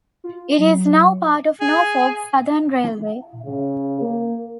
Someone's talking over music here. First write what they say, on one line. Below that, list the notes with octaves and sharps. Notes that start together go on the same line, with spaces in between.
It is now part of Norfolk Southern Railway.
F4
F#3
G#4
C#3
A#3